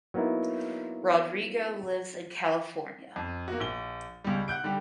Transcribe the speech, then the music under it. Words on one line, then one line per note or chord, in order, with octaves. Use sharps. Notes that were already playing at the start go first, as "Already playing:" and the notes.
Rodrigo lives in California.
F#3 A#3 B3 D#4 E4
F2
A#3 F#4
A#1 G7
C#2 G3
F#5 F#6 G6 D7
D3 G3 G4